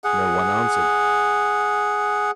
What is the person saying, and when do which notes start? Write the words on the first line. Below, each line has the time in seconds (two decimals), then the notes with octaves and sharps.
No one answered.
0.04 G#4 F#5